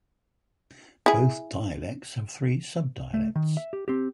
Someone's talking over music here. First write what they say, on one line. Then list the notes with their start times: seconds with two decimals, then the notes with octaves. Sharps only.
Both dialects have three subdialects.
1.06 E4 G#4
3.14 A3
3.36 D#3
3.57 E5
3.73 G4
3.88 C4 G4